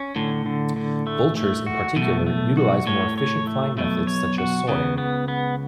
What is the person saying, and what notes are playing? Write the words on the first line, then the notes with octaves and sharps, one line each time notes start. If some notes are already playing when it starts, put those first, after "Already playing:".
Vultures in particular utilize more efficient flying methods such as soaring.
Already playing: C#4
A2 D3
D3
D3
A3
A3
F#4
B1 B2 A3
A3
F#4
A2 C#5
C#5
A3
B1 B2 A3
C#5
F#4
C#2 C#3 B3
B3
B3